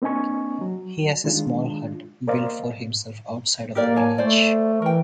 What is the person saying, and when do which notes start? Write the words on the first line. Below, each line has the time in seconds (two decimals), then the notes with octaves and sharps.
He has a small hut built for himself outside of the village.
0.02 A#3 C4 D4 D#5 G#5 C#6
0.61 F#3
1.24 D#3 G#3 D4 F4
2.27 A#3 A#4 C5 D5 D#5 F5
3.75 A#3 G4 A#4 D5
3.96 C#5 G#5 A5
4.18 A3 C5 D5
4.82 E3 A#4 G5